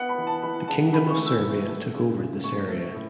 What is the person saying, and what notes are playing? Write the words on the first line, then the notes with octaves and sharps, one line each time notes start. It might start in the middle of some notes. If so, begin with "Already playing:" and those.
The Kingdom of Serbia took over this area.
Already playing: B3 F#5
B5
E3
A5
E3 B5
C#3 A5
E3 B5
C#6
A3
E6
A2
A3
C#3
C#3
A3 C#6
A3
A2